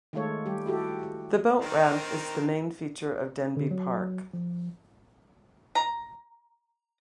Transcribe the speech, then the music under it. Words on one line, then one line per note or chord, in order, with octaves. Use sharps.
The boat ramp is the main feature of Denbigh Park.
D#3 G#3 A3 F4 A4 C#5
G3 G4
E4 F#4 G4 A4
D#3 C4 D4 D#4 A#4
D3
F#3
F3
A#5